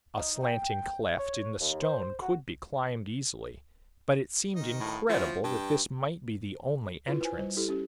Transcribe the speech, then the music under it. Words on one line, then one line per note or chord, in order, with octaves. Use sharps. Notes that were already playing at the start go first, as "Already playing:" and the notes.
A slanting cleft in the stone could be climbed easily, but it seemed incredible that this might be the only entrance.
D#4
G5
C#5
D#2
C5
F#4
D#3 D#4 D#5
A2
F3 C#4 E4 F#4
G2 G5 A5
E4 F4 B4
B4 C5 G#5
G3 C5
E4 G4 A4
C#4 G4